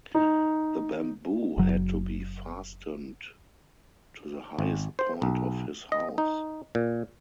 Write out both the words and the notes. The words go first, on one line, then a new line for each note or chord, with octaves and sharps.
The bamboo had to be fastened to the highest point of his house.
D#4
F#1 F#3
G#1
C5
B1
D#5
D#4
A#2